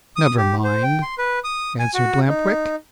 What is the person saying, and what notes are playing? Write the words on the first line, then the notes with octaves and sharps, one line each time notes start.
"Never mind," answered Lamp-Wick.
D#6
G4
C5
G5
C6
B4
D#6
G#5
F#4
D#4